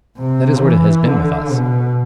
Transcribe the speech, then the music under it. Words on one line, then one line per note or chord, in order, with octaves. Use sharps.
That is what it has been with us.
C3
E3
D3
B2